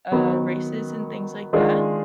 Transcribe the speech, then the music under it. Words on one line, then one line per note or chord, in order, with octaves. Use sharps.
uh, races and things like that.
D#3 F#3 B3
D#3 G#3 D4 F4 G#4